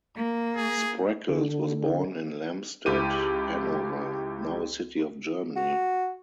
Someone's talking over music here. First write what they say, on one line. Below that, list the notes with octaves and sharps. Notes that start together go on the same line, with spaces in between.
Spreckels was born in Lamstedt, Hanover, now a city of Germany.
A#3
G#4
D3
C#2 E4 G4 D#7
F#4